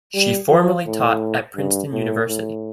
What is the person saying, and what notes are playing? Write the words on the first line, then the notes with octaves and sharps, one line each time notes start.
She formerly taught at Princeton University.
G3
F3
A2
G2
A2
A2